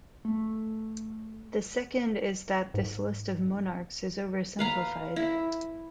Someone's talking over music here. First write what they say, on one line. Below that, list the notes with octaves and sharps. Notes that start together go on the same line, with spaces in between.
The second is that this list of monarchs is oversimplified.
A3
G#2
B4 F5 A#5
E4